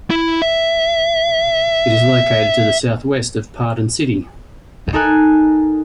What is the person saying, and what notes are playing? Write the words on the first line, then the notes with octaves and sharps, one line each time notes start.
It is located to the southwest of Paden City.
E4
E5
D#4 A4 A#4 G#5 F#6